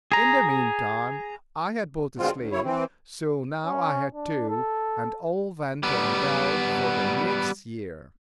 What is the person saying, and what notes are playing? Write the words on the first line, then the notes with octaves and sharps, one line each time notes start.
In the mean time I had bought a slave, so now I had two, and all went on well for the next year.
G#4 A#5
B2 D3 G#3 C4 F4
D2
F#2 C#3 E4 C#5
E3 C4
C#4
D4
A4
G3 B3